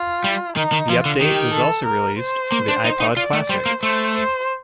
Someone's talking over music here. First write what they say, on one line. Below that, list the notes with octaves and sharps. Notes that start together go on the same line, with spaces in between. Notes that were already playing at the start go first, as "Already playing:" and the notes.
The update was also released for the iPod Classic.
Already playing: F4
G3
D#3 D#4
D#3
F3 F4
D3
D#3 G4
A4
A#4
C5
A#3
D4
D#4
D#4
F4 D5
A3
G3 C5
A#3
A3 C5
C5